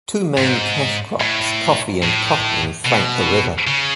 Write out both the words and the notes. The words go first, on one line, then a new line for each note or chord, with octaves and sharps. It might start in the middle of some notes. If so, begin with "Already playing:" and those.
Two main cash crops, coffee and cotton, flank the river.
G#2
A2
A2
B2
C#3